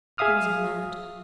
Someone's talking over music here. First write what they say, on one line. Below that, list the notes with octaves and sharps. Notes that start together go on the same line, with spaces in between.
"I wasn't mad."
G#4 E5 F5 D#6 F6